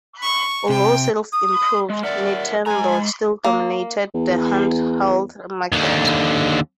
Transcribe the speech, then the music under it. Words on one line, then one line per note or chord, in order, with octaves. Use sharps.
Although sales improved, Nintendo still dominated the handheld market.
C#6
C3 G5
D#6
G#3
A#4 D5 E5 F#5
G#3 G#5 A#5
A#3
E2
D#2 D3